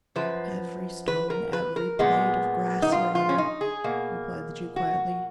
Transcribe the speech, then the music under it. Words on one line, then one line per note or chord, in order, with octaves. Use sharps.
"Every stone, every blade of grass, your Honour," replied the Jew quietly.
F#2 F3 B4
B4
A#4
B4
A#4
A#2 G#3 B3
D#4
F4
F4
C#4
D#4
G#4
B2 A#3
F#4